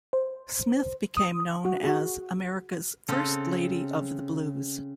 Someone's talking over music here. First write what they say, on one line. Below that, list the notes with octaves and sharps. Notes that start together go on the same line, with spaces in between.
Smith became known as "America's First Lady of the Blues".
C5
D#6
F#4
F#4 G#4
C#3 C4 A4